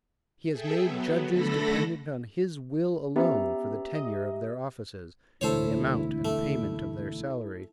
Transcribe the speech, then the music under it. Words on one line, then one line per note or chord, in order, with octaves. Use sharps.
He has made judges dependent on his Will alone, for the tenure of their offices, and the amount and payment of their salaries.
G#4 A4 E5 G5
F#3 B3
D3 A3 A4 B5 A#6
B3 C#4 G4 E5 A#5
D#5
E1 D2 E4 A4 C5 C#5
A3